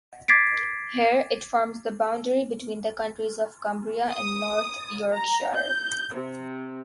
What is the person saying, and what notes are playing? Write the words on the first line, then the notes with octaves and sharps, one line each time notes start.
Here it forms the boundary between the counties of Cumbria and North Yorkshire.
D6 G#6 A6 B6 C7 D7
D#6
A#5
G6
C3